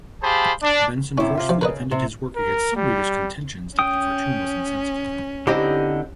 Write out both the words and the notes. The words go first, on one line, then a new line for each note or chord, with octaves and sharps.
Benson forcefully defended his work against some readers' contentions that the cartoon was insensitive.
G4 G#4 C5 F5 A5 B5
D4
F#2 C3 C#4 E4
C3 F4 E5
F3
C#3 A#4 B4 D#5
C3
A#4
G3
C#4 G5 D#6
D3 C4 D#4 E4 G4 D#5